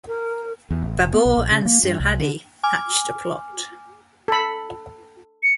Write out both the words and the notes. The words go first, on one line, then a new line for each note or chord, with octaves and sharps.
Babur and Silhadi hatched a plot.
A#4
E2
A1
F1
B3
B1
A#1
C#3
A#3
G2
C2
D3
G#5 D6 F6
A4 B5
C#7